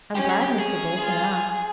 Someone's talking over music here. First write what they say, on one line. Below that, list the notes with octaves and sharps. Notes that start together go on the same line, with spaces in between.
"I'm glad Mr. Bolton asked."
C#4 G4
G#4
G4
C#4 G#4
F4